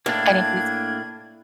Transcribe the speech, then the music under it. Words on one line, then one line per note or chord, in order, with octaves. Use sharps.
and it was
A2 A#3 D4 G#6